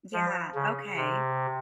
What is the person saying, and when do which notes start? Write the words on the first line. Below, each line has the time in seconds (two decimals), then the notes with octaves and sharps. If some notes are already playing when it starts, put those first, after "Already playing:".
Yeah, okay.
0.13 F3
0.55 C#3
0.97 C3